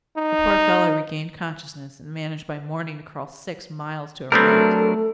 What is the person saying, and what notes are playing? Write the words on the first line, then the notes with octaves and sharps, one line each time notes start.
The poor fellow regained consciousness, and managed by morning to crawl six miles to a ranch.
D#4
F#3 G3 A3 B3 C4 D4 A4 A#4